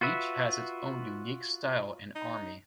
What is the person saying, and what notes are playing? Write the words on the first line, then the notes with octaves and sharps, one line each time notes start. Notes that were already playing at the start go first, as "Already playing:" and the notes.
Each has its own unique style and army.
F4 F#4 B4 E5
D#4